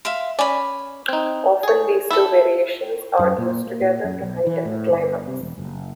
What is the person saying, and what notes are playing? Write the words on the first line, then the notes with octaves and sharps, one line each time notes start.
Often these two variations are used together to heighten a climax.
E5 F5 C6
C#4 D5 G#5 B5
C4 D#4
G#4 C#5
E4 A4 E5
F#2
A#2
A#3
A#2
F#2
B1
E3
A2
G1
C3
E1
F#1